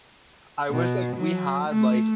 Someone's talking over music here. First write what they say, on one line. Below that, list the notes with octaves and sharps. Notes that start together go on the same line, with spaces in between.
I wish, like, we had, like
B2
F#3
A3